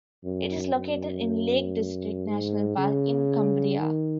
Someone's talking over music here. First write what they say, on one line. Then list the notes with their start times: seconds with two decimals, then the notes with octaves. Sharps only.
It is located in Lake District National Park, in Cumbria.
0.24 F#2
0.75 F#2
2.27 G#2
2.78 C#3
3.79 D#3